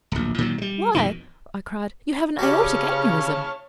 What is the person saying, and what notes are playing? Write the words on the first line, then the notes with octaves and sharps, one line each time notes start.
"Why," I cried, "you have an aortic aneurism!"
D1 A#1
A#2 D#3 E3 F#3
G3 G#3
F2 B2 D#3
C#3 C#4 F#4 G4 C#5 D5 A5 F6